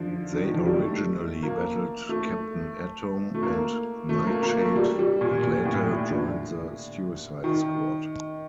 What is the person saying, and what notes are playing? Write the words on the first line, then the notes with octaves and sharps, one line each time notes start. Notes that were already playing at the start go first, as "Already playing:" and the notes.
They originally battled Captain Atom and Nightshade and later joined the Suicide Squad.
Already playing: D3 F3
D3
D#3
F3
G3
A3
A#3
A3
A3
A#3
A3
A#3
A#3
A3
G3
G3
A#2
A#2
A2
A#2
D3
D#3